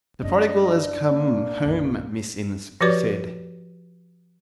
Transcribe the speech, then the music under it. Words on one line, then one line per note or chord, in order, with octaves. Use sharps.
"The prodigal has come home, Miss Innes," he said.
F#2 A3 D4 D#5
A#3
B1 F#2
F3 F#4 G4 B4 C#5 D5